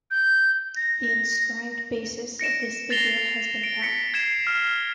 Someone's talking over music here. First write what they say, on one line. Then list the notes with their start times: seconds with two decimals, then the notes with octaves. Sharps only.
The inscribed basis of this figure has been found.
0.11 G6
0.76 A#6
2.39 A#6 C#7 D7 E7
2.90 A6 A#6 C7 F7 G7
3.64 D7
3.82 B6 C#7
4.14 G#6 C7 E7
4.47 F6